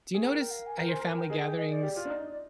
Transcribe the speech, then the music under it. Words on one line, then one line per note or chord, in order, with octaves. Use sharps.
do you notice at your family gatherings,
G#4
A#4 G5
G5
F5
G#5
A#4 G5
C5 G#5
A#4 G#5
G5
G#4 D#5
G5
D#5
D5
G4
F4
D4
D#4
D5